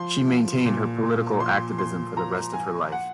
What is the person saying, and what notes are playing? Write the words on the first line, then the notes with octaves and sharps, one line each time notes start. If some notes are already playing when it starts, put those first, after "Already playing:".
She maintained her political activism for the rest of her life.
Already playing: F3 C6
F3
A#2
A#2
F3 C6
F3 C6
F3 A#5
F3 G#5
F#5